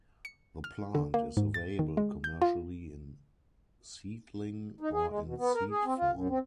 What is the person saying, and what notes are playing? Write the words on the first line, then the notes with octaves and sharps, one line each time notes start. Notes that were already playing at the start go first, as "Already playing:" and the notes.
The plant is available commercially in seedling or in seed form.
C#7
F6
D3
A#3
G#2
A6
D#3
G#3
G6
F4
D#4
G#4
G#3
B2
B3
A#4
G#4
C4
F4
F#2
C4